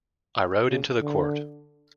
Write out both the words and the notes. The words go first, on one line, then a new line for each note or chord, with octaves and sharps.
I rode into the court.
C#3
D3